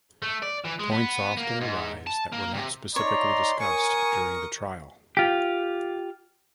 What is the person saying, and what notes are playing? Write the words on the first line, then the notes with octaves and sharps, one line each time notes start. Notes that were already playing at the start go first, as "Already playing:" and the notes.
Points often arise that were not specifically discussed during the trial.
A3
D5
E3
G#3
B3
A#3
G#2
A5
A#3
C3
D#4 C#5 D5 A#5 C6
A#4 G#5 C#6 D#6
F4 G4